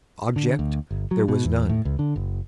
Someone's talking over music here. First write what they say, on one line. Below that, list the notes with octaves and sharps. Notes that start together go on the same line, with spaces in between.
Object there was none.
D3
D2
G1
F#3
B2
E2
A2
C#2
D3
F#1